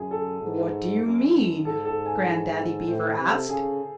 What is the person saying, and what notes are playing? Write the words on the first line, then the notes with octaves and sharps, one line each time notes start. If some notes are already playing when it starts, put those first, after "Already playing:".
"What do you mean?" Grandaddy Beaver asked.
Already playing: F#2 G#4
A4
G#2
F#2
F#2
G#2 A4
A4
G#5
A2 C5
C3
A4
C#3 G#4